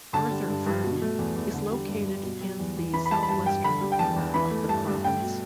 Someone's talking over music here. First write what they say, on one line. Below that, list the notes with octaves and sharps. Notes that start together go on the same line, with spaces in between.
Arthur-Virden is located in the southwestern corner of the province.
D3 A5
G3
G2
G2
B2
A3
E2
E2
D3
G3
G2
G2
B2
G3
E2
E2
E3 B5
B5
G3 A5
B5
G2 A5
G2 G5
D3 B5
G3
G5
E2 A5
E2
E3 B5
A3
G2 A5
G2
A3 G5
B2